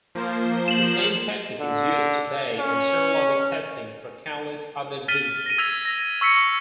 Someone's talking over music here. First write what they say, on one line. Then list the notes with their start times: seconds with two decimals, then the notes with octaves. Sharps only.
The same technique is used today in serologic testing for countless other diseases.
0.15 F3 A#3 C5
0.68 E7 F#7
1.59 D3
2.59 C#4
5.08 F6 A6 B6 D#7 G7
5.46 A#6 D#7
5.58 E6 G#6 B6 F7
5.85 A#6
6.21 C#6 E6 B6 C#7